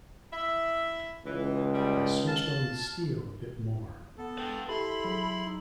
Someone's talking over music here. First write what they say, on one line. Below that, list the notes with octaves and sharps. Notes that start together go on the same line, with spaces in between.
I switched on the steel a bit more.
E4 E5
C#2 E3
G3
F5 A5
B3 A4
B4 G5
E4 G4 A4 B5 C6
F#3 G#4
D#4